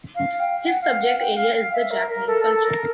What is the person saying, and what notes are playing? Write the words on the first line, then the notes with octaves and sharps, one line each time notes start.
His subject area is the Japanese Culture.
F5
G5
F#5
F5
F#5
G5
F5
F5
E5
A#4
A#4
A4
A4
A#4